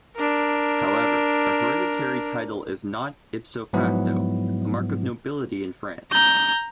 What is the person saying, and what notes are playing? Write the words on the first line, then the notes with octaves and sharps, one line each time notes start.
However, a hereditary title is not, "ipso facto", a mark of nobility in France.
D4 A#4
G#2 F3 F#3 B3 E4
A#5 G6